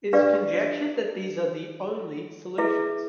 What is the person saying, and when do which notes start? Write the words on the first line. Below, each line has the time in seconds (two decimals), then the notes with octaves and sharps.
It is conjectured that these are the "only" solutions.
0.13 D4 G4 B4 D5 F5
2.58 E4 G#4 B4 E5